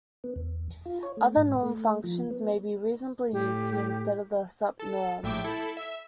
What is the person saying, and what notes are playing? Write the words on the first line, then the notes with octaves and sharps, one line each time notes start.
Other norm functions may be reasonably used here instead of the sup-norm.
B3
E2
F4
C#5
A3
G#2
A3
F3
B3
A2 G4
A4
A#1 A2 E5 G5 D6
E4 A4
E5